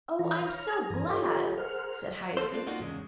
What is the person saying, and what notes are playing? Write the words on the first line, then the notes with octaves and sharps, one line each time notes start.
"Oh, I'm so glad," said Hyacinth.
E3 E4 B4 C#5 A#5
C#5 A#5 F6
G2 E3 G#5 A#5
F4 G4 A4 B4 C#5 D#5
G#4 A#4 C5 F#5 F6
A#3 F4 A4 C5
C4 D4 F4
A#3 D4 D#4 F4 F#4
E2 G#2 C#3 G#3